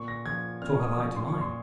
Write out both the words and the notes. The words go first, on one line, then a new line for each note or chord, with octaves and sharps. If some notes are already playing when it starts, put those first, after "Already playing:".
"So have I to mine!"
Already playing: A#2 C#6
A#6
F3 G#6
A#2 F6
C#6
D#6
F3 C#6
C6
C#6
A#2
C6